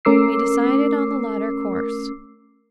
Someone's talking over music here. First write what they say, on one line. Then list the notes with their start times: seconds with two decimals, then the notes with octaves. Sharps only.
We decided on the latter course.
0.05 A3 C#4 A#4 D6 E6 C7